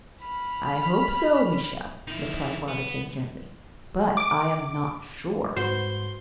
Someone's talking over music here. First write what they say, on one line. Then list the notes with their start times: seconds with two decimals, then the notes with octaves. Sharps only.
"I hope so, Michel," replied Barbicane gently, "but I am not sure."
0.23 B5 F6
2.07 D#3 E4
2.68 B3
4.17 D6
5.56 G#2 F#4 B4 C5 C6